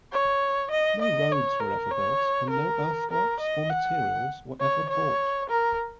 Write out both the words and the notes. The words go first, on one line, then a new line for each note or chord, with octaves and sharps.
No roads were ever built, and no earthworks or materials were ever bought.
C#5
D#5
D#5
C#5
A#4
C#5
A#4
A#4
D#5
F#5
C#5
C#5
A#4